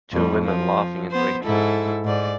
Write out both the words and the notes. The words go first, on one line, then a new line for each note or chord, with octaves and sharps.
Two women laughing and drinking.
F2 G3
F3
B3 C5
G#2 E4 A4
G#2 D5